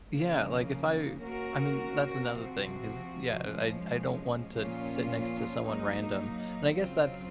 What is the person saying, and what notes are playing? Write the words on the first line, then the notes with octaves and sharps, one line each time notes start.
Yeah, like if I I mean, that's another thing, 'cause, yeah, I I I don't want to sit next to someone random, and I guess that's
C#3 F3 A#3
A#3 C#4 F#4 A#4
C3 F3 C4 F#4
F3 G#3 C#4
A#2 F3 A#3 C#4 F4
F#3 A#3 D#4
C#3 F#3 C4 F4